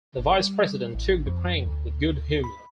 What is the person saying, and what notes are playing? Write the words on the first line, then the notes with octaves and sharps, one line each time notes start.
The Vice President took the prank with good humor.
G1
G3
A1
F2
D2
B5